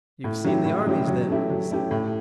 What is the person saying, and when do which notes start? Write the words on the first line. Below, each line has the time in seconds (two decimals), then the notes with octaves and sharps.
"You've seen the armies, then?" he said.
0.24 A2
0.45 F#3 C#4 E4 G4
0.65 A2
0.87 F#3 C#4 E4 G4
1.08 F#3
1.28 A3 C#4 E4 G4
1.50 F#3
1.70 A3 C#4 E4 G4
1.91 A2